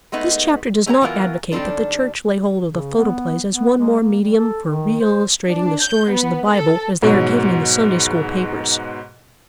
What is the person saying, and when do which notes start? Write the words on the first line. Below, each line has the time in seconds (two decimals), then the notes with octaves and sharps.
This chapter does not advocate that the Church lay hold of the photoplays as one more medium for reillustrating the stories of the Bible as they are given in the Sunday-school papers.
0.12 G#3 A3 B3 D#4
0.86 A3 G#4 C#5 F#5 A#5
1.01 E3 F#3 B3 F4 A#4
1.52 D#3 G3 C4 D4 A4
2.69 C#3
2.96 B3
3.50 B3
3.78 G#3
4.01 A#3
4.21 G3
4.36 A4
4.66 D#3
5.00 C5
5.50 D4
5.82 G6
6.11 B3
6.51 A4
7.03 G#2 B2 F#3